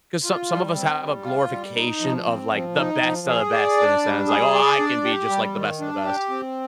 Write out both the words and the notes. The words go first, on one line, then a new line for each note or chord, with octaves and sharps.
'cause, some some of us have a glorification of, like, the best of the best in a sense, like, "Oh, I can be just like the best of the best."
F4
G3
C4
G3
F4
G3
D#4
F3
C4
F3
D#4
F3
G#4
D5
D4
G3
G#4
D5
D4
G4
G3
D#3
D4
G4
C4